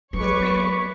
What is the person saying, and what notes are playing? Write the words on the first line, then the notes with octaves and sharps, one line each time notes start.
with breathing.
F#3 B4 C#5 C#6 D6